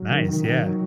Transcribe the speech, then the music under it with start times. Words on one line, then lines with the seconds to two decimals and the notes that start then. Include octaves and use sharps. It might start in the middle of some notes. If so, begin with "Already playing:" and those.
Nice, yeah.
Already playing: F#3
0.10 D#3
0.28 D#3
0.44 D#3
0.61 F#3